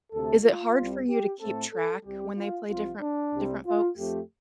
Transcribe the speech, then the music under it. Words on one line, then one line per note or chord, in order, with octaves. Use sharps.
Is it hard for you to keep track when they play different different folks?
D2 C3 A3 A4
F4
C2 C3 G3 C4
G4
A2 A3 C4 A4
A4
C2 C3 G3 G4
F4
C2 C3 F3 F4
D4
C2 C3 G3 C4
F4
F2 F3 A3 C4 G4